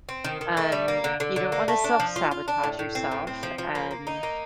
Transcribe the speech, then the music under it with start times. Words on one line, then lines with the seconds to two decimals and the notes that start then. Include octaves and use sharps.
um, you don't wanna self-sabotage yourself, and
0.09 C4
0.25 D#3
0.41 D#3
0.57 A3
0.72 G3
0.88 A#3
1.04 D3
1.20 D3
1.36 D3
1.52 A#3
1.68 A3
1.84 D4
2.00 F3
2.16 F4
2.31 F4
2.48 D4
2.64 A2
2.79 A2
2.95 C4
3.12 A2
3.27 C4
3.43 F3
3.58 F3
3.75 A#3
3.91 A#3
4.07 D#4
4.23 A#3